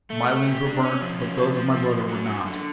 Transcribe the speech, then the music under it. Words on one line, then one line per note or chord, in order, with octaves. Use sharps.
My wings were burnt, but those of my brother were not....
A3
A3
G4
D4
C#4
F3
C#4
F3
F3
F3
F#2
F#3
F#2
D3